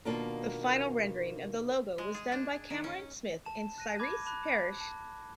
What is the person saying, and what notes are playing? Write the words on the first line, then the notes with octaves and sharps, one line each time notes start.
The final rendering of the logo was done by Cameron Smith and Cyrese Parrish.
B2 D#3 A#3 D4 F4 A#4
G#3
G#4
D4
D#3
C#4
A5 E7
F#6 A#6 D#7
B5 D6 G#6
A5 B5 F#6
A5